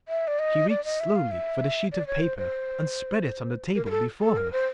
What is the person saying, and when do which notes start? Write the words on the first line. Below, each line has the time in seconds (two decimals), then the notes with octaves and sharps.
She reached slowly for the sheet of paper and spread it on the table before her.
0.08 E5
0.28 D5
0.39 D#5
0.69 D5
0.85 D#5
1.00 E5
1.16 F5
1.31 E5
1.92 D5
2.07 C#5
2.23 C5
2.38 C5
3.75 A#4
3.86 A#4
3.91 A4
4.22 A4
4.37 A#4
4.52 C5